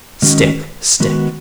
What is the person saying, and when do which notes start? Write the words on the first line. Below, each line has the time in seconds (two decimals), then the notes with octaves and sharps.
'Stick, stick!
0.22 D#3 G#3 C#4 F#4
1.00 D#3 G#3 B3 F#4